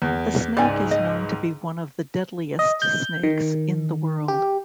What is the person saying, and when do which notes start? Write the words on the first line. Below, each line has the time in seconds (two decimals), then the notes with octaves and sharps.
The snake is known to be one of the deadliest snakes in the world.
0.02 E2
0.57 C#2 G#2 D5 G#5
0.91 D#5
2.59 D#5
2.82 G6
3.23 D#3
4.28 G4